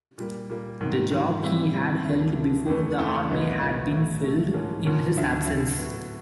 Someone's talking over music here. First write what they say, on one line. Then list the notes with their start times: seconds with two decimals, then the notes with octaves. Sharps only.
The job he had held before the army had been filled in his absence.
0.18 A#2 G3 A#3
0.49 A#2 G3 A#3
0.81 G#2 D#3 F#3
1.11 G#2 D#3 F#3
1.42 E3 G3 C4 E4
1.74 E3 G3 C4 E4
2.05 D2 D3 F3 A#3
2.35 D2 D3 F3 A#3
2.66 E2 C#3 E3 A3
2.97 E2 C#3 E3 A3
3.28 C2 A#2 F#3 B3 D#4
3.60 C2 A#2 F#3 B3 D#4
3.91 A2 F#3 A3
4.22 A2 F#3 A3
4.53 G#2 F3 A#3 C#4
4.84 G#2 F3 A#3 C#4
5.16 D2 D3 F#3
5.46 D2 D3 F#3
5.78 A2 F#3 B3